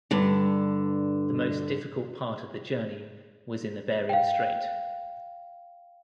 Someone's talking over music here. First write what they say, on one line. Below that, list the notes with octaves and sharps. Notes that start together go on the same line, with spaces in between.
The most difficult part of the journey was in the Bering Strait.
G2 D3
F5 G5